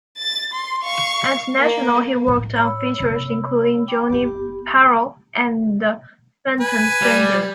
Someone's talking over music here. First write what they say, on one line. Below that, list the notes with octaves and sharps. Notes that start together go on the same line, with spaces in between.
At National, he worked on features including "Johnny Peril" and "The Phantom Stranger".
A6
C6
F5 C#6
A#3
A2 D#4
C#5 B5 E6
C3 A#3
G5 D6
F#1 B3 E4 G4
B4 G#5
G3